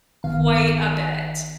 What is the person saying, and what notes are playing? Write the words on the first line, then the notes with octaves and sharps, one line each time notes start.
quite a bit,
G1 D#3 B3 F5